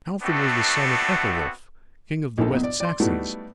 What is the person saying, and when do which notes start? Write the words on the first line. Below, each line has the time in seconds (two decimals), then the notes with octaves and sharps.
Alfred was the son of Ethelwulf, king of the West Saxons.
0.23 A3 B3 C4 D4 F#4
2.38 A#1 D#4 A4
2.51 B1 E2 A#2
2.63 D5
2.80 D5 C6
3.00 G3 A3 B3 D#4 E4 F#4